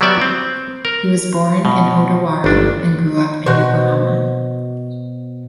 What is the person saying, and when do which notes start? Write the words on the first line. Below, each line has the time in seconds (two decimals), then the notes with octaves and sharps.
He was born in Odawara and grew up in Yokohama.
0.01 F#3 G3 B3 D5 E5
0.21 C4
0.85 A#4
1.65 B2
2.44 G1 D4
3.46 B2 F#4 C5